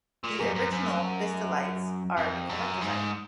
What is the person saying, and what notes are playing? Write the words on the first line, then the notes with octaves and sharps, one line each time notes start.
The original Vistalites are a collectors item.
A#2
F#2
F#2
F#2
F2
F#2
G#2